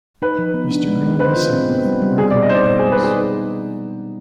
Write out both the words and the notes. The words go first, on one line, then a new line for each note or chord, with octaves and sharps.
Mr. Green listened with wrinkled brows.
D#4 B4
F3
B3
D4
G#3
G#3
B4 C5
F4
C4
B3
G3
G3
B3 G#4
D5
B2
D#5
D#4 C5 D5
B3 C5
G#4
G#3
B4
D#4 G#4
D#4